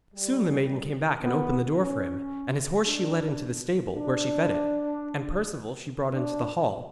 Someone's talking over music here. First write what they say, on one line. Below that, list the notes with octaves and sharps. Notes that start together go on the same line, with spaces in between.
Soon the maiden came back and opened the door for him, and his horse she led into the stable, where she fed it; and Perceval she brought into the hall.
G3
B3
C#4
D4
D4
D4